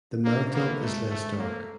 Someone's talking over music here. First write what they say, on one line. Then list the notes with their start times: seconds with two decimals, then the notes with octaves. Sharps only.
The mantle is less dark.
0.25 A#3 D4
0.39 C#4
0.54 A#3 B3
0.68 A3
0.82 G#3 A3
1.10 A3
1.38 A3 A#3